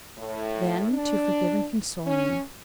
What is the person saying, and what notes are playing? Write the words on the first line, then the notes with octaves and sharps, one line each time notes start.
"Then to forgive and console me."
A2
D4
C#4